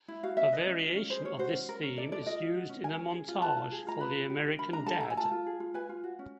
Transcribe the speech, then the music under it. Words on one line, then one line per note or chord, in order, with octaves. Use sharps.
A variation of this theme is used in a montage for the American Dad!
E4
F#4 F5
C#4 E5
B4 D#5
C#4
F4
C#4
G#4 C5
C#4 C#5
F#4 C5
C#4
A#4
C#4
A4 D5
A4 D5
F4 D#5
F4
F#4
C#4
A#4 G#5
C#4
G#4
F4
B4 A5
F4
G#4
F4 A#5
B4 B5
F4
G4
D4
A#4 B5
D4 A#5
A4 A5
A4 A#5
G#5
F4 A5
F4
G#4
F4
B4 G#5
F4
F#4
C#4